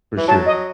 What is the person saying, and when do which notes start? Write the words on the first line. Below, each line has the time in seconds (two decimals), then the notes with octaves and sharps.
For sure.
0.17 E3
0.28 F#3 A5
0.46 D#5